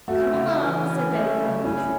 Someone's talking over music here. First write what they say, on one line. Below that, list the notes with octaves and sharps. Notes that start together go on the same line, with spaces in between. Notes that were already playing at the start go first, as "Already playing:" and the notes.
"Come along," said Betty Flanders.
A3 F#4
C#3
E3
C#4
A3
C#3
C#4 E4